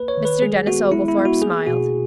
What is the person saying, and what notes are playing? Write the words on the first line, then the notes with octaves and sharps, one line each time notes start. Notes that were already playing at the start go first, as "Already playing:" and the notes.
Mr. Denis Oglethorpe smiled.
Already playing: A#3 B4
C#5
D#3
B4
G#3 G#4
B3 F#4
G#3 E4
E4
B3
F#4
A#3 G#4
B2 F#4